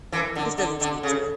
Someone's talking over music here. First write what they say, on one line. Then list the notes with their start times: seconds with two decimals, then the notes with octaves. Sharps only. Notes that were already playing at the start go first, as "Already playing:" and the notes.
It just doesn't speak to ya.
0.12 E3 A#4
0.35 D3 A#4
0.58 D3 A4
0.80 D3 A4
1.03 C#3